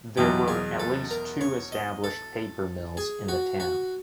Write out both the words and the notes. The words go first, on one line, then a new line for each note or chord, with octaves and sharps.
There were at least two established paper-mills in the town.
E2 B2 F#3 G4
G#4
A4
A#4
C#5
D#5
A4
G#4
F#4
F#4